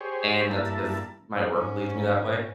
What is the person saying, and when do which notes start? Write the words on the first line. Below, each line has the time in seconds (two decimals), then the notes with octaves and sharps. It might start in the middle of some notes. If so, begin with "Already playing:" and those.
and that's because my work leaves me that way.
0.01 G4 G#4 C5 C#5
0.50 G2 A#3 E4 A5
1.53 G#2 C#4